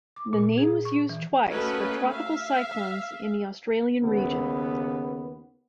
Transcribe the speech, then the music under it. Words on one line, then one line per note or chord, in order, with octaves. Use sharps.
The name was used twice for tropical cyclones in the Australian region.
D6
A#2
G#4
C#6
E3
A3 A#3 C#4 F#4 B4 D#5
E5 F5
D#2 C#3 B3